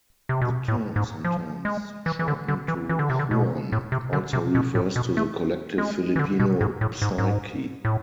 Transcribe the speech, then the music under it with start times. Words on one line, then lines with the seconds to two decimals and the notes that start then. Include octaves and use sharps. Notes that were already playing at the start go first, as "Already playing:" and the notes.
The term, sometimes shortened to "Juan", also refers to the collective Filipino psyche.
0.29 C3
0.42 B2
0.68 A2
0.96 G#2
1.24 F3
1.65 G#3
2.06 E3
2.19 E3
2.28 D3
2.48 D3
2.68 E3
2.89 E3
2.99 D3
3.10 C3
3.19 D3
3.31 B2
3.72 A2
3.92 C3
4.13 D3
4.33 C3
4.55 B2
4.75 A2
4.96 B2
5.17 A3
5.78 G#3
6.16 E3
6.19 D3
6.40 B2
6.61 G#2
6.81 A2
7.02 G#2
7.18 G#2
7.85 A2